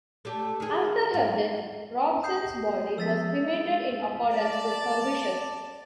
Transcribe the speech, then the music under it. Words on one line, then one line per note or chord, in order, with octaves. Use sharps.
After her death, Hobson's body was cremated in accordance with her wishes.
A3 D4 G4
D#3 G#4
G#2
D#6 G6 C7
F3 G#3 B3 E6 A6 B6
G#3
D5 A5